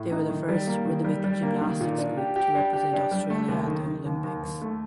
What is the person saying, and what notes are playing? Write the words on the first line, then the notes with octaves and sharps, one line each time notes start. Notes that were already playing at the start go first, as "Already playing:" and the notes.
They were the first rhythmic gymnastics group to represent Australia at the Olympics.
Already playing: A2
D#4
D#3
G3
A#3
D#3
G3
G3
A#3
D#3
A#2
D4
G4
G4
D4
G4
D4
G3
A3
D#2
D#3
D#3
D#2
D#2
D#2
A3